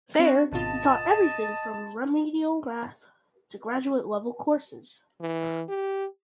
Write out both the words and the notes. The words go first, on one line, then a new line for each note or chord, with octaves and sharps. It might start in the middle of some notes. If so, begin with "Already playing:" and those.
There he taught everything from remedial math to graduate-level courses.
C4 D4 F#4
G#1 B2 F4 D#5 A5
E3
G4